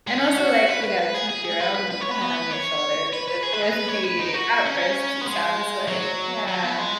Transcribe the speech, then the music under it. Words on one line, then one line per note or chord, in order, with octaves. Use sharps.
And also, like, you know, keep your own head on your shoulders with with the outbursts, it sounds like. Yeah.
G#3
B3
C#4
F#4
B4
B4
B4
G#4
G#4
G#4
B4
B4
B4
C#5
B4
B3
B4
C#5
B4
B4
G#4
B4
G#4
B4
C#5
B4
D#4
F#4
C#4
B3
G#3
F#3
F#3
B3
G#3